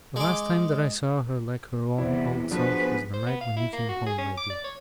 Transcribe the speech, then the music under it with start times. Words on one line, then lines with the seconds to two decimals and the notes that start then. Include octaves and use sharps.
'The last time that I saw her like her own old self, was the night when you came home, my dear.
0.16 G#3 D6
1.98 E2 C3 E3 B3 E4 C5 D5
2.51 F3 F#3 B3 D4 F#4 G#4 B4 C5
3.14 C5
3.27 B3
3.41 F5
3.57 E4
3.73 A#3
3.89 F#4
4.07 G#4
4.19 C#4
4.38 D6
4.50 D5
4.64 C#5